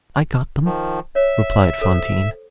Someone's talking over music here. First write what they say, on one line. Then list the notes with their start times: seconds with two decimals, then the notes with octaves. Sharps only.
"I got them," replied Fantine.
0.65 D#3 F3
1.15 C#5 E5
1.81 A4 C5